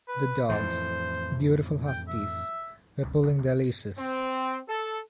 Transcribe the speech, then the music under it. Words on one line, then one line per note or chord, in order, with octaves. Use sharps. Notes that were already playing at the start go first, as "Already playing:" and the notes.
The dogs, beautiful Huskies, were pulling their leashes.
B4
F2 A2 E3 C5
G5
E5
C4
A4